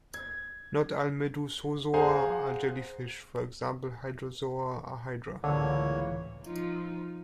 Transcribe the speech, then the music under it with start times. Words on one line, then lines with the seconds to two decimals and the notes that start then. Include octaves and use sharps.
Not all Medusozoa are jellyfish; for example, Hydrozoa are hydra.
0.14 G#6
1.94 G#4 C5 F5 F#5 G#5 A#5
5.44 C#2 A2 D3 E3 A#3 C#5
6.44 F3 D#4 F4